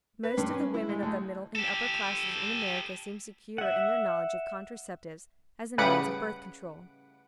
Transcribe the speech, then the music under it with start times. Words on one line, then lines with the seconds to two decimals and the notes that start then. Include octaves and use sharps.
Most of the women of the middle and upper classes in America seem secure in their knowledge of contraceptives as a means of birth control.
0.23 B4
0.37 G2
0.53 C#4
0.74 E4
0.89 G#3
1.02 D2
1.55 G4 A4
3.58 E5 F#5
5.78 A2 C#3 G3 B4 F#5 D7